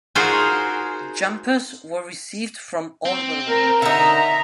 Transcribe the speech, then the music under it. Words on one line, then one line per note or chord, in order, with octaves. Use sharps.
Jumpers were received from all over the world.
D#4 F4 F#4 G#4 A#4 C5
C4
A#4
D3 D#4 E5 A#5